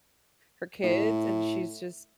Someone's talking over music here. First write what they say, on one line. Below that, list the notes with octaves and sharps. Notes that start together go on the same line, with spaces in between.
her kids, and she's just
A2